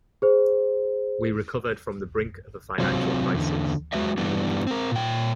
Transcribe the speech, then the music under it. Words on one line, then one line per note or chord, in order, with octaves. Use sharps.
We recovered from the brink of a financial crisis.
G#4 C5
C3 F#3 C4 F4
E2 D3
F#3 G#3 F#4 B4 D#5 E5
G2 E3 G3 B3 D4
C4 A#4
A#2 G5